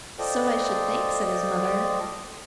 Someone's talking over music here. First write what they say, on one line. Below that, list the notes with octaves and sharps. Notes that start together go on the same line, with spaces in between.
"So I should think," said his mother.
F4 A4 C5 D5 D#5 G5